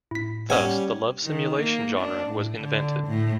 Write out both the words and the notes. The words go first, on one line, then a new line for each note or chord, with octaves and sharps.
Thus, the love simulation genre was invented.
A2 E4 B6
G3 C#4 F#5 G#5 F6
D#3
A#3
D4
A2
D3
A2